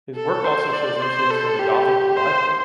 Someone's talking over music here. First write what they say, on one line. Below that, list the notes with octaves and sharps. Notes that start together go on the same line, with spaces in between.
His work also shows influences from the Gothic Revival.
A4
C5
D5
C5
A4
G4
C5